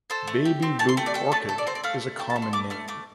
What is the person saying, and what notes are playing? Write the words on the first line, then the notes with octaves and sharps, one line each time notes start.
Babyboot orchid is a common name.
A4 C5
A3
G4
C4
A3 A5
C6
A3 G5
D5
A4 G5
A3 A5
A4
D5
C4 C5
D5
A3 F5
A3
A4 G5
A5
A3
C6
A3 D6
A3 F6
A3 D6